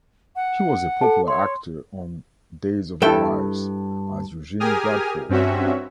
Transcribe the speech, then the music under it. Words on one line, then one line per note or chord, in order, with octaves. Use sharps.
He was a popular actor on "Days of Our Lives" as Eugene Bradford.
F#5
A4 A5
C#5 C6
G2 E4 A4 E5 G5
G4 G#4 A#4 G#5 D#6 F6
G2 C4 C#4 F#4 E5